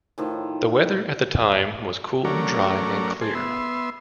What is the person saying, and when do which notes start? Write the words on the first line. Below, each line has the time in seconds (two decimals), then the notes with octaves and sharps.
The weather at the time was cool, dry, and clear.
0.18 A2 D#3 F3
2.24 F#3 A3 C#4 A#4 D5
3.21 G#4 A4 C5
3.35 B3 E5 C6